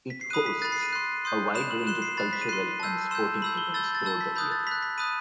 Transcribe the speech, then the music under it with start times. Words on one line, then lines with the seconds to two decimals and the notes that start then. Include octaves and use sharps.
It hosts a wide range of cultural and sporting events throughout the year.
0.10 B6
0.21 C7
0.30 B5 D#6 F#6 D#7
0.46 B6
0.62 B5 F#6 A6
0.72 C7
0.82 D#7
0.93 C6 F#6
1.25 C6 D#6 G6
1.55 B5 F#6 E7
1.71 F#7
1.87 C6 F#6 E7
2.02 C7
2.17 B5 F#6 A6
2.33 B6
2.42 D#7
2.49 C6 F#6 C7
2.80 A5 E6 G6
3.11 C6 E6 G6 E7
3.42 B5 E6 G6 F#7
3.57 G7
3.74 B5 E6 G6 A6
3.84 G6
3.95 A6
4.05 A5 E6 G6
4.21 B6
4.36 B5 D#6 F#6 G6
4.52 A6
4.67 B5 F#6 B6
4.82 B6
4.98 B5 D#6 F#6 D#7